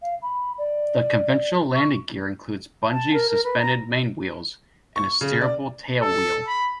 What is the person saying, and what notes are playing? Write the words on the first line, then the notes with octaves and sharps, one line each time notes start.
The conventional landing gear includes bungee-suspended main wheels and a steerable tail wheel.
F5
B5
D5
C#6
A5
A#4
A#4
B4
A#5
C#6
C#3
D5
A4
B5